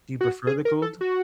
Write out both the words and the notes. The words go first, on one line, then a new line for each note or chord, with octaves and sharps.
Do you prefer the cold?
F#4
G#4
A#4
A4
F#4